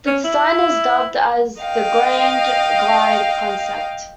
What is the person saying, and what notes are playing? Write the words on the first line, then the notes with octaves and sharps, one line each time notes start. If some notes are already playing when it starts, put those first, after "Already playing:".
This design is dubbed as the "Grand Glide" concept.
C#4
E4
D#5 F5 G5